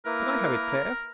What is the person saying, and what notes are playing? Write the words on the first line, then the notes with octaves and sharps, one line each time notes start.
Can I have it, Claire?
A#3 E4 A#4 B4